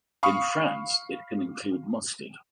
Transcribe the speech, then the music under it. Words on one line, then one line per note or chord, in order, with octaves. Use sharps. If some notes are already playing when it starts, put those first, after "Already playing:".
In France it can include mustard.
F5 B5 C#6 D#6